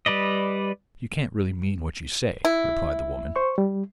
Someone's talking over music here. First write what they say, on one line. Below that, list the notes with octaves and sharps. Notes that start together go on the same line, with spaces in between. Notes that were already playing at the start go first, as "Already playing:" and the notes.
'You can't really mean what you say?' replied the woman.
G3 B4 D5 D#5
E4
C5 C#6
G3